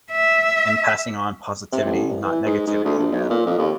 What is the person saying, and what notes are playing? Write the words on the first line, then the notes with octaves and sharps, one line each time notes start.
in passing on positivity, not negativity, you know,
E5
C3
A1
C2
E3
G#2
G#2
D2
A#1
B1
A#2
F2
D#2